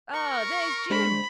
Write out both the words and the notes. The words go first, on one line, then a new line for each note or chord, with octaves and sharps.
Ah, there's Jim!
A#4 C#6
G#3 D4 C5 B5